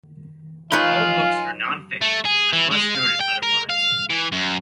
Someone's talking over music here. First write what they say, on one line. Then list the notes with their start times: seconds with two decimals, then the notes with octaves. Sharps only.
All books are nonfiction, unless noted otherwise.
0.72 D#4 F4 B4 C#5 F5 G#5 C6
2.02 A3
2.25 G#4
2.53 E3
2.71 G#3
2.95 F5
3.21 G5
3.43 A#4
3.70 F5
4.10 E3
4.32 F#2